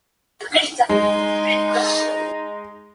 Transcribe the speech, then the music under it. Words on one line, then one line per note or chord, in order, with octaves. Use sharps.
Two cars of Satyaki were going to be delivered on the day of Mahalaya.
G#3 D#4